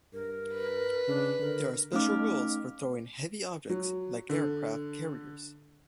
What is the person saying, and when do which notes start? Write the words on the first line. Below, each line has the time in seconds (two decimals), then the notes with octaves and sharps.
There are special rules for throwing heavy objects like aircraft carriers.
0.13 G2 A#4
0.54 B4
1.08 C#3 D4
1.40 D3 A#4
1.93 A3 C#4 D#4 F5 D6 F6
3.70 F#3
4.29 D3